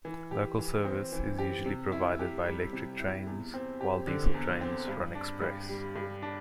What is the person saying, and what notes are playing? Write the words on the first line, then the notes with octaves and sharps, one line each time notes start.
Local service is usually provided by electric trains, while diesel trains run express.
E3
G4
E3
C4
E3
G4
C3
E4
G4
G3
C3
E4
E2
C4
G4
D3
E2
C4
G2
D4
G2
G3
G2
D4